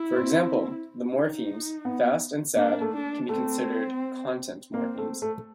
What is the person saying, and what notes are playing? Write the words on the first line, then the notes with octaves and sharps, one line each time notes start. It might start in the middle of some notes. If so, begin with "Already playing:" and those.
For example, the morphemes "fast" and "sad" can be considered content morphemes.
Already playing: E4
C4
D#4
B3
A#3 D4
A#3
A3
D4
A3 C4
A#3 C4
A3
A3